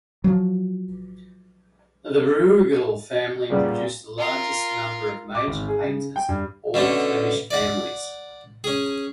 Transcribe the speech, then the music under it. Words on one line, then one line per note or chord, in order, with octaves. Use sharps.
The Brueghel family produced the largest number of major painters of all Flemish families.
F3 F#3
A#2 C#3 G3 B3
F4 A#4
D6
G#1
G#4
C#3
G5
G2
B2 D3 A3 C#4
D5 F#5
C#4 G#4